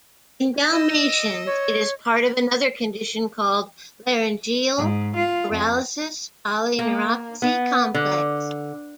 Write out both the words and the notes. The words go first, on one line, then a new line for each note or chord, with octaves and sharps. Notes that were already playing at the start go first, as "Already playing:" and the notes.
In Dalmatians it is part of another condition called 'laryngeal paralysis-polyneuropathy complex.
D#5 E6
C#5
G#2
F4
F2
A#3
B3
D3